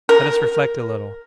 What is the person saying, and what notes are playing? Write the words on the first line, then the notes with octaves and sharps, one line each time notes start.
Let us reflect a little.
A#4